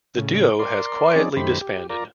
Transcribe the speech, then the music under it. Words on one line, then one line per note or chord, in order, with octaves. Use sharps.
The duo has quietly disbanded.
A2 C#3
A#4 D5 C6
F3 C4 C#4 D#4 G#4 D5
F#2 D#3 A3 G4 C5 B5
G4
F4 A#4 D5 A#5